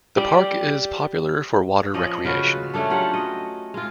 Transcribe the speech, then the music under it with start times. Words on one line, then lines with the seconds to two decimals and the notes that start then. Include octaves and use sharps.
The park is popular for water recreation.
0.17 G4 D5
1.94 F3 C#4 D5 D#5
2.25 C#3 F4 F#4 B4
2.74 A3 C#4 D4 A4
2.90 F#3 F4 G4 F#5
3.14 D#5
3.74 G#3 F4